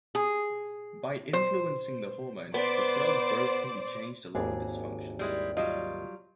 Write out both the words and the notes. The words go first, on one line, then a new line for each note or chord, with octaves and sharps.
By influencing the hormones, the cells' growth can be changed along with its function.
G#4
C5
B3 C5 D5 D6
G#1 D#2 D4 G#4
G3 G#3 E4
F#3 G3 F4 D#5